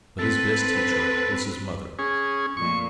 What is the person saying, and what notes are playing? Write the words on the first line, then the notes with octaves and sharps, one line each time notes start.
But his best teacher was his mother.
C4 A4 B4
C#4 G#4
F2 A#2 C#6